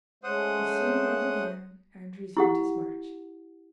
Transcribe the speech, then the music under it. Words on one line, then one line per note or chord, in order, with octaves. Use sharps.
He soon rose again and resumed his march.
G#3 A3 C#4 C5 F#5 D#6
E4 G4 F#5